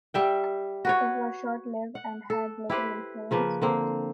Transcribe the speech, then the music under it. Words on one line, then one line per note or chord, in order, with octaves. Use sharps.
It was short-lived and had little influence.
G3 E5 G5
F#4 B4 C#5
F#5
A4
E4 G4 B4 C5
C#3 F3 A#3 B4
D3 A#3 C4